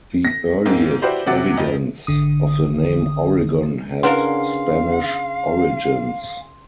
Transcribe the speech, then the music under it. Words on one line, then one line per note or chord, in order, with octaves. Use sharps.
The earliest evidence of the name Oregon has Spanish origins.
A#6 B6
G#2 A#3 C4 D#4
E4 F#4 G4 B4 C5 D5
C3 E3 F#3 F#5 D6 A6
F2 D#5
G#1 D3 D#6
C#3 D4 E4 A#4 B4 F5 F#5 C6